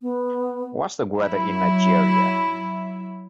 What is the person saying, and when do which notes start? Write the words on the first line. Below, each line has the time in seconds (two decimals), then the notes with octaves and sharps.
What's the weather in Nigeria?
0.02 B3
1.16 F#3 E4